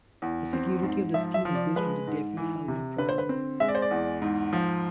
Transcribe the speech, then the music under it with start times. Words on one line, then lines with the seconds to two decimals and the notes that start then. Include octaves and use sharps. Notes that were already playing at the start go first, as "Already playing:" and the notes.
The security of the scheme is based on the Diffie-Hellman problem.
0.22 E2
0.53 C4
0.83 G#2
1.14 F3 E5
1.34 E5
1.45 F3
1.55 D5
1.76 G#3 B4
2.07 G#2
2.37 E3
2.68 C3
2.98 D3 B4
3.09 C5
3.18 B4
3.29 C4
3.60 G#3 E5
3.68 D5
3.75 C5
3.82 D5
3.91 E2
4.22 G#2
4.53 F3